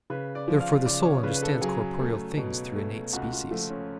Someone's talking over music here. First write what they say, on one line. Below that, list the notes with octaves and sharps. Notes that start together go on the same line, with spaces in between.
Therefore the soul understands corporeal things through innate species.
C#3 B4
D5
F3
F5
C#3 D5
C#5
C#3 B4
B4
A4
F#3 G#4
A3
B2
A3
C#2 F#4
F4
F3 A3
C#4